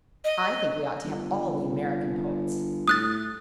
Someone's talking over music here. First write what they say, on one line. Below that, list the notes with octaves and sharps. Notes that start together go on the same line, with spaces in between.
I think we ought to have all the American poets.'
D#5
G1
A2 D#6 F#6 A6